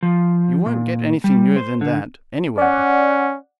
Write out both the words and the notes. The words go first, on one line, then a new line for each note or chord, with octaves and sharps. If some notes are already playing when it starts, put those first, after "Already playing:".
You won't get anything newer than that anywhere.
F3
A#2
G3
C5
D3
C#4 D5 F#5